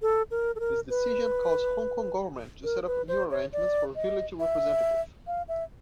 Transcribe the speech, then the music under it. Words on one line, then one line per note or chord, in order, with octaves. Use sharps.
This decision caused Hong Kong Government to set up new arrangements for Village Representative.
A4
A#4
A4
A#4
B4
A#4
B4
C5
C#5
D5
D#5
E5
F5
E5